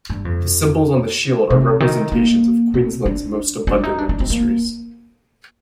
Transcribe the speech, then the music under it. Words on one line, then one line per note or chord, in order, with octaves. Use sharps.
The symbols on the shield are representations of Queensland's most abundant industries.
G2
F2
C3
D#3
A#3
C4
D4
D4
D#4
D4
D4
C4
A#3